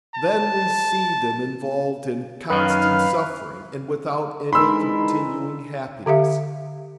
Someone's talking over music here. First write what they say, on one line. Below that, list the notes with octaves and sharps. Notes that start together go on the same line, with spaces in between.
Then we see them involved in constant suffering, and without any continuing happiness.
A5
F#2 D#3 B4 F5
E3 G#3 D4 D#4 A#4 B5 C6 E6
D3 G4 E5 F5